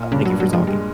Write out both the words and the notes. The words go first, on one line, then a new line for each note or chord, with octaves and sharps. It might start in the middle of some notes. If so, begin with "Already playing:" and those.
uh, thank you for talking.
Already playing: A#2
G2 C#3
G2 F#3
F#3
F3 G#3
G3 G#3